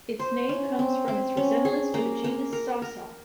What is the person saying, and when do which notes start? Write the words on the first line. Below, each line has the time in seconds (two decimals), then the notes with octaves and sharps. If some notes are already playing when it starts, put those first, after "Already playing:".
Its name comes from its resemblance to the genus "Sasa".
0.19 C5
0.49 C#4
0.79 C4
1.08 C4
1.37 C#4
1.65 G#4
1.94 A#3
2.24 A#3
2.53 A#4
2.82 A#4